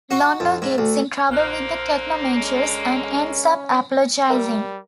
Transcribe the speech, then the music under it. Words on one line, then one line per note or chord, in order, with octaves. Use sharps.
Londo gets in trouble with the Technomages and ends up apologizing.
F#4
F2
G#2
D2
A#1 D3 A#3 C5 F6 F#6
G#3 C#4
G3 A#4 E5